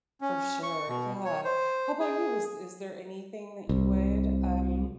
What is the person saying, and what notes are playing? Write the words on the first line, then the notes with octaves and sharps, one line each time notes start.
for sure, yeah, how about you? Is is there anything that you would, um,
C#4
C#6
B2
C#5
C5
G#4
C2